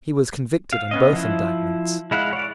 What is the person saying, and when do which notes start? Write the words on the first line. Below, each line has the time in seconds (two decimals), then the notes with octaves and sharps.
He was convicted on both indictments.
0.73 F5
0.91 B3 C#4 D#5
1.13 F3 E4
2.11 G#3 E4 F5 F#5
2.33 C#5 D5